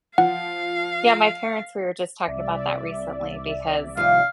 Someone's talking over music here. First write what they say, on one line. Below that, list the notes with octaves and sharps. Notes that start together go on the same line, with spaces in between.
Yeah, my parents we were just talking about that recently because,
F3 F5 F#5
C2 D5 E5
D#2 F3 F5